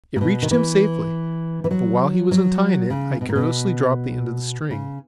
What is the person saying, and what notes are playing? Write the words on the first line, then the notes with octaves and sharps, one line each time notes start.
It reached him safely, but while he was untying it I carelessly dropped the end of the string.
A#2
B2
D#3
E3
E3
F#3
F#3
C#3
B2
A#2
B2
C#3